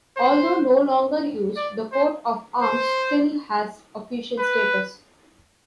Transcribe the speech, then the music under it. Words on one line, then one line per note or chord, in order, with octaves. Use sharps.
Although no longer used, the coat of arms still has official status.
C5
D5
C5
C5
B4